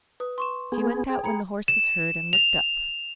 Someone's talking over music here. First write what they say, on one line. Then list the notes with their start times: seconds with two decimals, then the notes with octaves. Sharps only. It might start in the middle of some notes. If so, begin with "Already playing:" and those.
She went out when the horse was heard, and looked up.
0.20 B4 D#6
0.38 C6 C#6 E7
0.72 B3 G#4
1.09 G#4 G5
1.24 A#5 B5 C#7
1.68 E7
2.33 F7